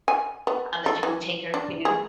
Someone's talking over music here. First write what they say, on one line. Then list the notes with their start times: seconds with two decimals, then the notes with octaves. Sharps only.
uh, that you can take her to
0.08 G#5
0.47 B3
0.86 A4
1.03 E3
1.54 D4
1.85 G#4